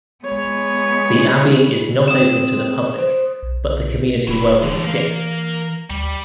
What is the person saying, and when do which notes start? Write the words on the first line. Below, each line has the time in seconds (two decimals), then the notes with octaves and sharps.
The Abbey is not open to the public, but the community welcomes guests.
0.25 G#3 B3 C#5
2.08 C4 D#6 E7
2.98 C5
3.42 B1
4.28 D#1 F#3 E4
4.63 C2 D3 E3
4.85 A#4 F5
5.90 D2 G3